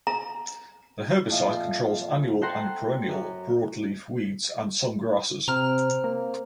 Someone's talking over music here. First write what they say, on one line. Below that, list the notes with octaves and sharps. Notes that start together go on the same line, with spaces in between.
The herbicide controls annual and perennial broadleaf weeds and some grasses.
A#5
F2 A#2 F3 F4 E5
A4 C5 F#5 G5 A#5 C6
F#2
C3 C4 A#5 F6
A#3